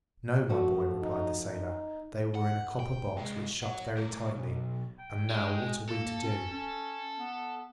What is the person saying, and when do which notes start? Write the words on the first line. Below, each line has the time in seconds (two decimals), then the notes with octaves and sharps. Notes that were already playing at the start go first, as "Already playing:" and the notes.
"No, my boy," replied the sailor; "they were in a copper box which shut very tightly; and now what are we to do?"
0.49 F3 A3 F#4
1.02 D#4
1.46 D#4
2.35 F#5
2.80 G5
3.17 C2 G#3
3.63 C#5 F#5
3.97 A3 A#4
4.35 B1
4.99 G5
5.30 G#3
5.89 A#3 A4
6.22 C#4
6.50 C#4
7.18 B3